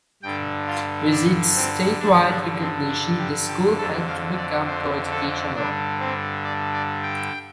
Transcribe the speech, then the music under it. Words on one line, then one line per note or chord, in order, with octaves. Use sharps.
With its statewide recognition, the school had to become co-educational.
G2 D3 G5
F4
D4
C4
G2 D3 D4
D4
C4
D4
G4
G4
F2 D3 A4
F5
D5
C5
A4
G2 D3 D4
C4
D5
D5
G5